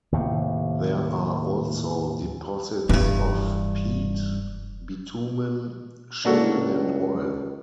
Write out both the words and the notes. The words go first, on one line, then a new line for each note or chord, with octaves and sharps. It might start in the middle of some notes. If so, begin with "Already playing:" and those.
There are also deposits of peat, bitumen, shale and oil.
D#2 A2 C3
F1 C2 G2 E3
C#2 A#3 D4 F#4 A4